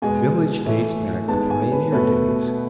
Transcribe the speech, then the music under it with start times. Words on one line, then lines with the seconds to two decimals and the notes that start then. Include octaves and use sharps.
The village dates back to pioneer days.
0.02 B2 G#3 B3 G#5
0.66 A2 E3 A3
1.28 D#3 G#3 B3 A5
1.50 G#5
1.72 B4
1.92 B2 A3 B4